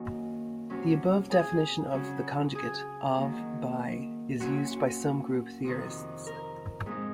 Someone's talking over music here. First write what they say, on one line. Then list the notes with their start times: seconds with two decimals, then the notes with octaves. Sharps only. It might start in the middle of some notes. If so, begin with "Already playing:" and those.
The above definition of the conjugate of by is used by some group theorists.
Already playing: F#2 D#3 A#3 F#4
0.70 C3 F#3 C#4
1.31 G#4
1.91 C#3 F#3 C#4
2.55 G#4
3.17 D#3 F#3 A#3
4.40 A#2 F#3 C#4 F#4
5.64 F2 C3 D#3
6.27 A#4
6.86 G#2 F3 C4 D#4